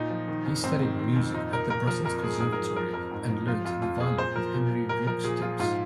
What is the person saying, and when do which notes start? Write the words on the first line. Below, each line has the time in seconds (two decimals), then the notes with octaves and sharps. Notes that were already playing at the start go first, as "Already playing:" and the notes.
He studied music at the Brussels Conservatoire and learnt the violin with Henri Vieuxtemps.
Already playing: A#2 D#4
0.11 F3
0.28 D#3
0.46 F2
0.64 G#2 C4
0.82 D#3
0.99 D#3
1.16 F2
1.34 A#2 D#4
1.52 F3 A#4
1.70 A#2 A#4
1.87 F3 A#4
2.05 F2 A#4
2.23 F3 G#4
2.40 G#2 G#4
2.52 A#4
2.58 F3
2.65 G#4
2.76 F3 A#4
2.94 F2 A#4
3.11 G#2
3.29 F3
3.47 F3 F4
3.65 F2 F4
3.82 F2 F4
4.00 F3 G#4
4.18 A#2 C5
4.35 F3 A#4
4.54 A#2
4.71 F3
4.89 A#2 A#4
5.06 F3 A#4
5.24 A#2 G#4
5.41 F3 F4
5.59 G#2 F4